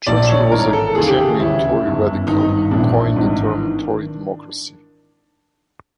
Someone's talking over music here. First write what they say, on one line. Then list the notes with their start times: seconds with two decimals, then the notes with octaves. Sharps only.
Churchill was a genuine Tory radical, who coined the term Tory Democracy.
0.07 A#1 A2 F3 D5
0.29 C#5
0.52 G#1 G#2 E3 A#4
0.73 A4
0.94 D#2 C#3 E3 G#4
1.08 G4
1.21 G#4
1.39 D2 C#3 E3 E4
1.83 G1 F#2 D#3
2.27 G#1 G2 D#3 D#4
2.49 D#4
2.71 A#1 A2 E3 D4
3.16 G#1 G#2 E3
3.61 D#3